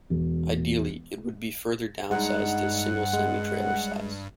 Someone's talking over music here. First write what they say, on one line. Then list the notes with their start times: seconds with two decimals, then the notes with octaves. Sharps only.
Ideally it would be further downsized to a single semi trailer size.
0.10 E1
2.11 G2 G#3 D#4 F#5
3.13 G#3